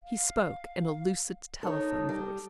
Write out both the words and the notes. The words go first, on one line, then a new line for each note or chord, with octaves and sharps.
He spoke in a lucid telephone-voice.
F5
D#4 A4 C#5
G3